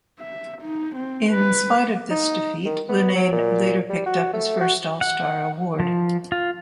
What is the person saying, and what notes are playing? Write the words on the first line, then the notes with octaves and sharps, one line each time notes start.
In spite of this defeat Linnane later picked up his first All-Star award.
E5
D#4
C4
B4
D#4
D#3
B3
F#3
A#2
G3
F#4
A3
F#4
F#5
F3
F4